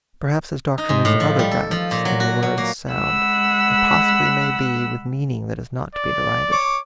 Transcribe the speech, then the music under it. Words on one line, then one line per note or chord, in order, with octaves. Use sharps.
Perhaps his doctrine is of other guise Than the words sound, and possibly may be With meaning that is not to be derided.
D#4
G#2
A2
F3
G3
A4
F3
A#2
F#3
F#4
F#3
A#3
G#3 F#5 B5 E6
D5
C#5 D6